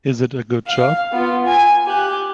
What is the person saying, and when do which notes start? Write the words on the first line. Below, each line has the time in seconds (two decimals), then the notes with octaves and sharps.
Is it a good job?
0.66 F5
1.12 B3 F4
1.46 G#5
1.87 G4 F#6